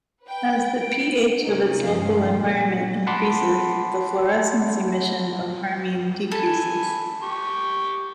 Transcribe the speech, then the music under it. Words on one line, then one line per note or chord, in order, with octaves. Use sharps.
As the pH of its local environment increases, the fluorescence emission of harmine decreases.
B4 G5
D7
C3 C#4 D#4
G2 D#3 F3 G#3 F5
A#2 D4
F#5 A5 B5 C6 D6
A4 G#5 B5
G4 C#6